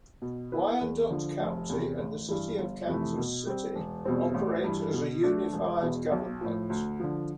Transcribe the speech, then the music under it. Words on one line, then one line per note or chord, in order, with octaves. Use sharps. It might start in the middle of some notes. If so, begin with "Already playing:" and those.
Wyandotte County and the city of Kansas City operate as a unified government.
B2
B3 E4 B4
E2
D3 F3
F1
E2 C3
A1
G2 E3
G1
F2 C3 E3 A3
B2
G3 C4
E1
E2 B2 G3 C4
A1
G2 E3
B2
A3 D4
E1
E2 B2
B1
A2 F3
D2
D3 F3